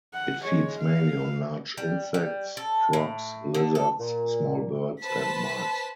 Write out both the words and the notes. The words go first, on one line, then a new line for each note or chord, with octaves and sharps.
It feeds mainly on large insects, frogs, lizards, small birds, and mice.
F#5
G#3 C#5
F5
G3
G3
A4
A2
D3
A4
A#2
B4 C5 A5 B6